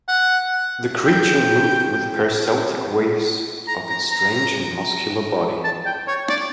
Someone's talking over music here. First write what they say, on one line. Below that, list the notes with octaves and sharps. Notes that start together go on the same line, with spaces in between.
The creature moved with peristaltic waves of its strange and muscular body.
F#5
G5
A#5
A#5
A#5
A5
G5
C#5
D5